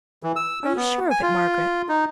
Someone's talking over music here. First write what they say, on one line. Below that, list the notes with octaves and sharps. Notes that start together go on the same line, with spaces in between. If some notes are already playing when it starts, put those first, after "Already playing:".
Are you sure of it, Margaret?'
E3
E6
C#4
B3
G#5
F4
D#4